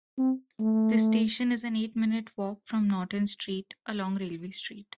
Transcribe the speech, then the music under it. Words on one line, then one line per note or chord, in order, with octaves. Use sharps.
The station is an eight-minute walk from Norton Street, along Railway Street.
C4
A3